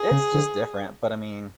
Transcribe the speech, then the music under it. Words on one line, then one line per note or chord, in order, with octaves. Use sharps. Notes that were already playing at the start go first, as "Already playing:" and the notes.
it's just different, but, I mean,
Already playing: G#4
C#3
D3